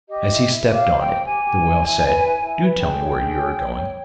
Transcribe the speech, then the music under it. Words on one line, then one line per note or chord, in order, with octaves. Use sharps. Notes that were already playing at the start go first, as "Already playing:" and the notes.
As he stepped on it the whale said, 'Do tell me where you are going.'
G4 D#5
E4
E4
G4
F5
C5
G5
G4
G4 G#5
G4
E4
E4
B4
E4
E4
B4
G#4 G5
C#5
G#4
C#5
C#5
C#5